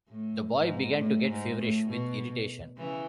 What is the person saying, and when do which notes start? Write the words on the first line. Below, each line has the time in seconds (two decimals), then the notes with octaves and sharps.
The boy began to get feverish with irritation.
0.09 A2
0.54 G#2
0.98 A2
1.28 G#2
1.58 A2
1.88 B2
2.77 C#3 E3